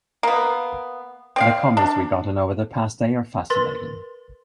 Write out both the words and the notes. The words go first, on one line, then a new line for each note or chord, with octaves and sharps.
The comments we've gotten over the past day are fascinating.
A#3 B3
C4 D5 F5
D4
A#4 B4 C6 A6